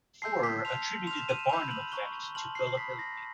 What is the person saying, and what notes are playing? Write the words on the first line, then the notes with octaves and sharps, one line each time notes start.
Forer attributed the Barnum effect to gullibility.
A5 C6 E6 G6 C7
B6
A5 C6 F6 F7
C6 F6 F7
E7
D#7
E7
B5 E6 G6 F7
F#7
A#5 C#6 F#6 G7
G7
A5 C6 F6 F#7
C7
C7
B5 D#6 G6 B6
A#6